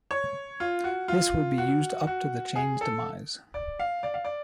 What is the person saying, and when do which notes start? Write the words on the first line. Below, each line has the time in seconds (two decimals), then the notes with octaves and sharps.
This would be used up to the chain's demise.
0.11 C#5
0.60 F4
0.84 F#4
1.08 F4
1.58 F#4
2.07 F#4
2.56 G#4
2.81 A4
3.54 D5
3.79 F5
4.03 D5
4.14 F5
4.25 D5